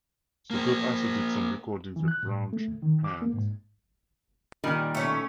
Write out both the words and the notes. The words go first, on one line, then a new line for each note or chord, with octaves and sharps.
The group also did some recordings with Raunch Hands.
A#3 C5
E3
F#6
A2
A3
D2
D#3
D6
A#3
G#2
A#2 D#3 G3
A3 C#4